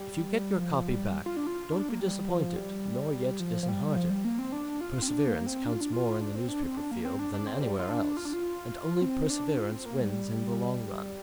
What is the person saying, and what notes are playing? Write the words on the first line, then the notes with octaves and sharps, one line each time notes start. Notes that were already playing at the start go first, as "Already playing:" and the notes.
If you get your copy back don't be disappointed nor yet disheartened. Perseverance counts more in the newspaper field than anywhere else, and only perseverance wins in the long run.
Already playing: G3
F3
G3
F4
D4
F4
D4
A#3
G3
F3
G3
F3
F3
G3
F3
G3
A#3
C4
D4
F4
C4
D4
A#3
C4
D4
F4
D4
F4
D4
C4
D4
C4
D4
A#3
C4
D4
D4
C4
G3
F4
D4
F4
D4
F4
C4
D4
F4
C4
A#3
G3